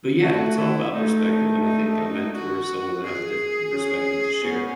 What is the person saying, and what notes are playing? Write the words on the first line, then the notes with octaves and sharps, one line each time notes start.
but yeah, it's all about perspective. And I think a mentor is someone that has a different perspective to share,
A3 F#4
E4
A3 D#4
D#4
F#4
G#4
C#4
B3 C#4